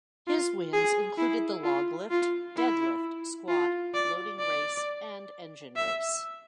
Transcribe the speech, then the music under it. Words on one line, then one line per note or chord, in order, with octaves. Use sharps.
His wins included the log lift, deadlift, squat, loading race and engine race.
F4
G#4
E4
F4
F4
E4
F4
D5
D5
E5